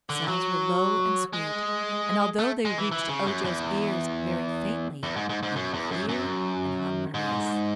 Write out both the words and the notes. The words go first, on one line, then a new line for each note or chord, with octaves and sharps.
The sounds were low and sweet and, although they reached Ojo's ears very faintly, they were clear and harmonious.
D3
F#3
G#3
A3
G#3
E3
E3
C#3
F#2
E2
E2
G#2
G#2
G#2
F#2
E2
F#2
F#2
G#2